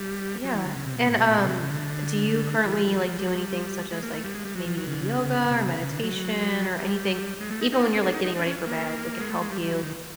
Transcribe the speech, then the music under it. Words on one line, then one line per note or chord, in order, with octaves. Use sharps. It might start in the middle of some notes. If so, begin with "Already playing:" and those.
Yeah. And, um, do you currently, like, do anything such as, like, maybe yoga or meditation or anything even when you're, like, getting ready for bed that could help you
Already playing: G3
F#3
E3
D3
C#3
C3
B2
A2
B2
A#2
B2
C#3
C3
C#3
D3
E3
F3
F3
F3
F3
G3
F#3
G3
G#3
A#3
A3
G3
G#3
G3
F#3
F3
F#3
C#3
D3
C#3
C3
C#3
C#3
D3
F#3
G3
G#3
A3
D#4
D#4
D4
C4
D4
D#4
D#4
D4
C#4
A#3
G#3
A3
G#3
G3
G3
F#3
D#3